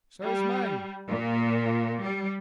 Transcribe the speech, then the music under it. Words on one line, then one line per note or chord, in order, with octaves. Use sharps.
"So has mine."
G3
A#2
G3